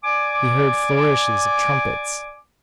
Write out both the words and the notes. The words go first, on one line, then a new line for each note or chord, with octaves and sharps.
He heard flourishes of trumpets.
D5 G#5 D6